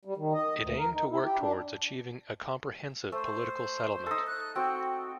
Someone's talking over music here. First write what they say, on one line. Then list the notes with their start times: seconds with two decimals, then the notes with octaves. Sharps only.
It aimed to work towards achieving a comprehensive political settlement.
0.05 G3
0.17 D#3
0.33 D#5
0.59 D2
0.78 A#4
0.93 D#4
1.10 E4
1.23 G4
1.40 D4
3.12 A3 C5
4.06 D#4 A4
4.27 F#6
4.55 C4 F#4 G5